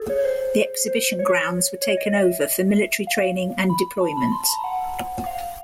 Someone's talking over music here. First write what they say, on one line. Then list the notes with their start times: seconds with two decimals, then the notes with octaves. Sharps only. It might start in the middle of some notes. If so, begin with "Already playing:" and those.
The Exhibition Grounds were taken over for military training and deployment.
Already playing: G#4 A4
0.09 C#5
0.24 C5
0.88 C5
1.19 C#5
1.82 C#5
1.97 D#5
2.13 E5
3.07 F5
3.70 B5
4.01 A5
4.17 B5
4.32 C6
4.44 A5
4.48 A#5
4.64 F#5
5.26 F5